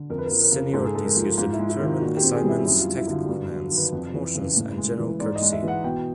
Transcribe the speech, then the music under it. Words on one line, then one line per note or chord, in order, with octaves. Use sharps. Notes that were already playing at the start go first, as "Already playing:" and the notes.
Seniority is used to determine assignments, tactical commands, promotions and general courtesy.
Already playing: D3
F2 A#4
B4
A#4
F3
A#4
C#3
G#2 A4
G#4
G#3 A4
A#4
F3
G#2 F4
E4
G#3
E4
D#3
F4
A#2 F#4
G4
C4
G#4
G3
E4
F#2 E4
F#3 F4
E4
D3 F4
G4
G2 F#4
F#3
D#3
B4
F2
E3
C#3
A2
G#3
E3
G#2 D5
D#5
G#3
E5
E3 F#5
B2 G5